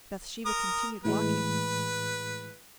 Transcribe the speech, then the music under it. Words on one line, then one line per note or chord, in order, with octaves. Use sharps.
Bathsheba continued walking.
A#4 D#6
A2 E3 G#3 B4